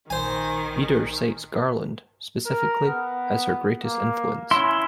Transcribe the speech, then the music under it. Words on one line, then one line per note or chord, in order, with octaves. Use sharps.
Eder cites Garland, specifically, as her greatest influence.
A#1 D#3 C5 G#5
A#4
B3
A#3
C#4 E4 C6